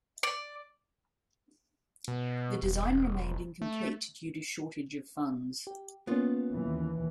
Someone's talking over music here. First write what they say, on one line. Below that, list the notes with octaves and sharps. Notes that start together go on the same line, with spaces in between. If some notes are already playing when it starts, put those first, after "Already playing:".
The design remained incomplete due to shortage of funds.
D5
B2
E1
A3
G4
A#3 B3 C#4 F4
D#2 E3